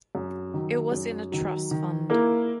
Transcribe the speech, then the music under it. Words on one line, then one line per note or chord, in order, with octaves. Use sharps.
It was in a trust fund.
F#2
D#3 F#3
F#2
D#3 F#3
D#3
A#3 E4 A#4